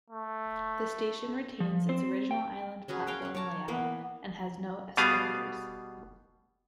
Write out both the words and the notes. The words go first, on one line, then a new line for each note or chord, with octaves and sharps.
The station retains its original island platform layout and has no escalators.
A3
F3
C4 C5
G5
C#4 F#4 G#4 B4
A#4 C#5 F5 G5
C#4 F#5
C#5 D5 A5 A#5
E3 A#3 B3 B4
B2 G3 B3 G#4 F5